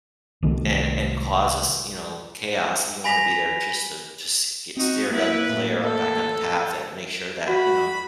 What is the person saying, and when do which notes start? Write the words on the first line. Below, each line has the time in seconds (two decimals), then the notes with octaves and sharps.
and and causes, you know, chaos, you wanna be there just to, just get steer them clear back on the path and make sure that, you know,
0.43 C2 D#3 A3
3.04 G#5 B5 A#6 B6 F7
4.77 C4 D#4 F#4
5.11 A#3 E4 B4
5.49 A2
5.83 A4
7.48 F#4 B5